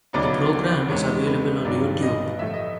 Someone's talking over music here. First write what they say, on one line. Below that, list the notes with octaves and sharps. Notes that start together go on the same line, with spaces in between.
The programme is available on YouTube.
D2 C#3 F#3 B3 D#4 D5
E2 C3 D#3 G#3 C#5
B4
G1 G2 D#3 F#3 D5
D#5
A2 F3 A3 E5
D#5